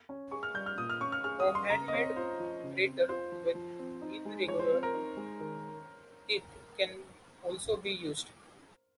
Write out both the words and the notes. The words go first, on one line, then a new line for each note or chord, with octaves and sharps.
A hand-made grater with irregular teeth can also be used.
C#4
G#4 C#6
F6
G3 G6
F6
A#2 D#6
F6
C#4 C#6
F6
G#4 F6
D#6
G3
C6
C#3 A#5
D#5
C4 C#5
F4 C5
F3
C#3
C4
F4 C5
F3
F3
C4
D#4
G#3
F3 C#5
C5
C4
A#4
D#4
G#3
D#3